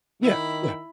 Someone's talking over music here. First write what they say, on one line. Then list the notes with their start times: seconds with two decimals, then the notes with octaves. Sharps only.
Yeah, yeah.
0.23 D#3 E4 B5